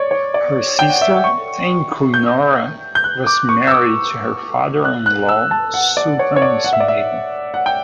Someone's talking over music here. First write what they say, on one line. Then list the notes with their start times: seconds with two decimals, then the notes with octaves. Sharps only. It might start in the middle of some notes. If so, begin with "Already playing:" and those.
Her sister, Tengku Nora, was married to her father-in-law, Sultan Ismail.
Already playing: C#5 D5
0.11 C#5
0.34 D5
0.79 G5
0.90 F#5
1.01 E5
1.12 F#5
1.24 C#6
2.14 G6
2.95 G6
3.04 F#6
3.26 D6
3.49 C#6
3.67 E6
3.71 D6
4.85 F#6
5.06 F#6
5.29 E6
5.51 A5
5.74 F#5
5.97 D5
6.19 C#5
6.36 C#5
6.42 D5
6.65 F#5
6.73 E5
6.80 D5
6.88 E5
7.54 F#5
7.66 G5